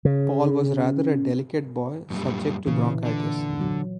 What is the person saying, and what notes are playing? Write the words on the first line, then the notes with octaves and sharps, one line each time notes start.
Paul was rather a delicate boy, subject to bronchitis.
C#3
F#2 A#2 G3
A#2 C#3 E3
D3
F#3